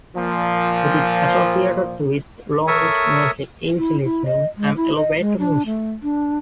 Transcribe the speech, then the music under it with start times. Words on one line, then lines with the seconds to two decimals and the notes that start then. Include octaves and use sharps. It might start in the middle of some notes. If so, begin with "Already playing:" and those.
It is associated with lounge music, easy-listening, and elevator music.
0.16 A#2 F3
2.67 A4 A#4 C#5 E5 C#6 D#6
3.77 E4
4.04 E4
4.26 D#5
4.57 G#3
4.76 E4
4.95 D#5
5.19 G#3
5.39 D4
5.65 A3
6.02 D4